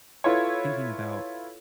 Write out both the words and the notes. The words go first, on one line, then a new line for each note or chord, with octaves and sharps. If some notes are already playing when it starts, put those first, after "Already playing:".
thinking about
E4 F4 A4 B4 C#5